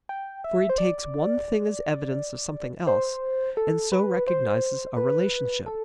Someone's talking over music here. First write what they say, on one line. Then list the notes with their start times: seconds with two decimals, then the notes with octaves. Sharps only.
For he takes one thing as evidence of something else, and so recognizes a relationship.
0.09 G5
0.44 E5
0.69 C5
0.78 D5
2.87 C5
3.57 A4
3.92 B4
4.27 C5
4.97 B4
5.66 A4